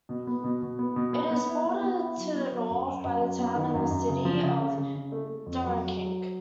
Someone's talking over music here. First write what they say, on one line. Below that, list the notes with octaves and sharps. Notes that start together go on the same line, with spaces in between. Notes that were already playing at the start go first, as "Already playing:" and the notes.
It is bordered to the north by the town and city of Dunkirk.
B2
B3
B2
B2
B3
B2
B3
B3
E4
B3
B3
E4
F#3
B3
F#3
F#2
F#2
F#2
F#2
B3
D#3
F#2
F#2
C#3
F3
C#3
C#3
C#3
C#3
A3
A3
F2
F#3
F#3
F#3